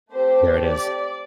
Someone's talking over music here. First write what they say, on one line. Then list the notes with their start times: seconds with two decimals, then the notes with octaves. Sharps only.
There it is.
0.12 A3 C4 G4 C5
0.64 D5